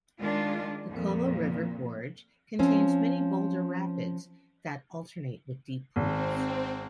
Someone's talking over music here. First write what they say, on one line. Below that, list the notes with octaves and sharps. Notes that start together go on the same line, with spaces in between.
The Colo River gorge contains many boulder-rapids that alternate with deep pools.
D#3 G#3 D4 F4
F2 A#2
F3 C4 C#4
G#1 C4